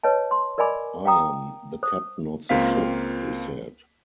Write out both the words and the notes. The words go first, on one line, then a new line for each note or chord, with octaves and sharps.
"I am the captain of the ship," he said.
B4 C#5 D#5 A5
C6
A#4 D5 D#5 G#5 B5 D6
F5 G5 A#5 D#6
C5 D#6
C#2 A#3 C4 F4 F5 B6